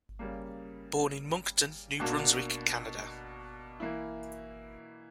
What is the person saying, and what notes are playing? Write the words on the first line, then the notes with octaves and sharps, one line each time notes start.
Born in Moncton, New Brunswick, Canada.
C#3 G3 A#3
B2 A#3 D4 F#4
E3 A#3 E4